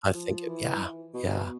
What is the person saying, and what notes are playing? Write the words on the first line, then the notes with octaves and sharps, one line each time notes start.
I think it yeah, yeah.
F3
E3
B2